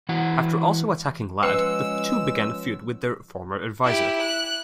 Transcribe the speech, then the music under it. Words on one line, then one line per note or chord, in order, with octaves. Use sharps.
After also attacking Ladd, the two began a feud with their former adviser.
E3 E4 F#4 F#5
F3 G#3 C#4 B4 F#5 E6
E4 G4
F#6